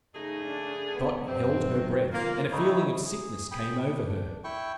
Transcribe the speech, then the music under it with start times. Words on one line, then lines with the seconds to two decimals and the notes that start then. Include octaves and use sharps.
Dot held her breath, and a feeling of sickness came over her.
0.14 C#3 A3 D#4 G#4
0.44 D4
0.93 B3
1.26 F#2 C3 C4
1.64 D#3 F#3
2.13 C3 A#3 F4
2.51 G3 A3 D#4 E4
3.05 G#4
3.51 G#4 G5 B5
3.86 D4
4.44 E4 G5 C#6